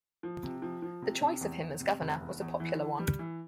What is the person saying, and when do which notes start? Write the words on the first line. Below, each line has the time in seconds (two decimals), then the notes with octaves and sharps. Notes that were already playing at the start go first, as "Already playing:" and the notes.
The choice of him as governor was a popular one.
0.23 F3
0.43 C3
0.62 F3
0.82 F3
1.02 C3
1.21 C3
1.41 E2
1.62 E2
1.80 C3
2.01 F1
2.21 E2
2.41 E2
2.60 E3
2.79 E3
2.99 G3
3.19 E3